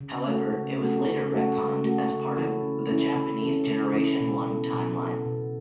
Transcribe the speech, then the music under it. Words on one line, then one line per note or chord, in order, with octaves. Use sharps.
However, it was later retconned as part of the Japanese Generation One timeline.
C#3
A3 F#4 A4
C#3
A3 F#4 A4
C#3
A3 F#4 A4
C#3
A3 F#4 A4
C#3
E3 C#4 E4 A4
C#3
E3 C#4 E4 A4
C#3
E3 C#4 E4 A4
C#3
E3 C#4 E4 A4
B2
B3 A4
B2
B3 A4
B2